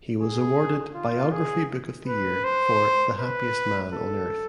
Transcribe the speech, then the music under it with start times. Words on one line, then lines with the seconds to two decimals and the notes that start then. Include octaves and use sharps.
He was awarded "Biography Book of the Year" for "The Happiest Man on Earth".
0.20 G#4
0.95 F4
1.32 G#4
2.07 B4
2.44 C5
3.20 B4
3.94 A4